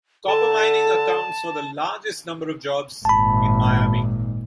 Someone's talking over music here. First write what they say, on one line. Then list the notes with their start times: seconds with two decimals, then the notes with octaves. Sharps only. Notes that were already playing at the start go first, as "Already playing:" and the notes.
Copper mining accounts for the largest number of jobs in Miami.
0.27 D3 A4 A5
3.05 G#1 A#2 A5 B5